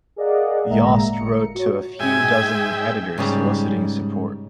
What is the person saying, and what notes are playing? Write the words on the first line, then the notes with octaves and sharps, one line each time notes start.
Yost wrote to a few dozen editors soliciting support.
G#4 A#4 D5 D#5 F5 F#5
G1 A2 G#3 A#3 E5 A#5
C#7
F#4 C#5
G#2 E5 G5 G#5
G#2 C#3 G3